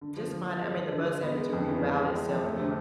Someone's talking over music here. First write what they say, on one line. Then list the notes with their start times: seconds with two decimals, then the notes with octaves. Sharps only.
just fine. I mean, the bus having to reroute itself or
0.01 D3
0.17 F3
0.32 F3
0.47 F3
0.62 G#3
0.77 F3
0.92 D3
1.08 G#3
1.23 B3
1.38 G#3
1.53 F2
1.68 E3
1.84 G#3
1.98 G#3
2.14 G#3
2.29 F2
2.44 A3
2.60 D3